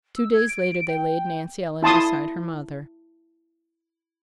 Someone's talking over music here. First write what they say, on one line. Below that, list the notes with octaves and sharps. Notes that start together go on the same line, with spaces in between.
Two days later they laid Nancy Ellen beside her mother.
E6
G#6
D7
G5
E4 A5 C6 D#6